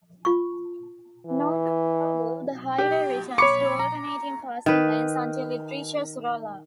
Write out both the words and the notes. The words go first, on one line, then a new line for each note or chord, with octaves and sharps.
North of Cabool, the highway returns to alternating passing lanes until it reaches Rolla.
F4 C#6
E3
G4
C#5 B5 C#6 D6 C#7
A#5
D#3 B4